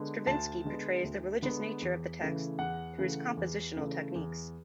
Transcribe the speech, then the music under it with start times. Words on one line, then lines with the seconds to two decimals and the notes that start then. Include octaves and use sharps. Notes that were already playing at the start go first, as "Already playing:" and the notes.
Stravinsky portrays the religious nature of the text through his compositional techniques.
Already playing: D3 G#3 B3
0.27 D2 A5
0.65 D3 G#3 B3
1.04 D2
1.42 D3 G#3 B3
1.82 E2
2.20 C#3 E3 A3
2.59 E2 F#5
2.98 C#3 E3 A3
3.37 E2
3.76 C#3 E3 A3
4.15 E2